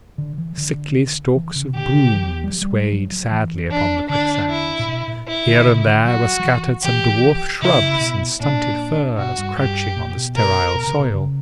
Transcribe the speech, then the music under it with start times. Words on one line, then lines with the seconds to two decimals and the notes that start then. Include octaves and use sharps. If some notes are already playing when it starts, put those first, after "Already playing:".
Sickly stalks of broom swayed sadly upon the quicksands; here and there were scattered some dwarf shrubs and stunted firs crouching on the sterile soil.
0.18 D3
0.38 E3
0.57 D3
1.36 E3
1.55 C#3
1.75 D3 G4
1.95 C#3
2.14 E3
2.24 F#3
2.44 G3
2.53 F#3
2.61 G3
2.92 F#3
3.12 F#3
3.32 E3
3.71 D4
4.09 D3 D4
4.49 E4
4.79 A#2
4.88 B2
5.07 A#2
5.27 E4
5.47 D3
5.66 C#3
5.86 D3
6.05 F#3 F#4
6.39 F#3
6.44 E3
6.83 E3 G4
7.62 C#3 E4
7.82 C#3
8.00 B2
8.40 A#2 D4
9.18 B2 F#4
9.38 G2
9.57 G2 G4
9.97 A#2
10.16 B2
10.36 A#4
10.74 B2
10.87 C#3
10.99 B2
11.14 C#3